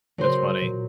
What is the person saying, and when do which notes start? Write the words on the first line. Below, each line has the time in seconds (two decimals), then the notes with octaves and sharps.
That's funny.
0.18 C#3 F#3 A#4 C5
0.62 A#2